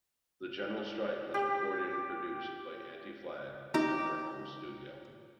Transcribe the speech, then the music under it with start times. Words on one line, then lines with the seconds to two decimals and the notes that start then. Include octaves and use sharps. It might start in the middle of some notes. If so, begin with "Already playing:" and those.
The General Strike was recorded and Produced by Anti-Flag at their home studio.
1.34 G4
3.74 D#4 G4 A#5